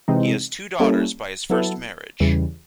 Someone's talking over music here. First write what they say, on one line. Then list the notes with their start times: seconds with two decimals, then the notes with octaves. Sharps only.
He has two daughters by his first marriage.
0.08 C3 E3 G#3 C4 D#4
0.79 G3 A#3 C#4 E4 A4
1.50 F#3 B3 E4 A4
2.20 E2 C#3 E3 G3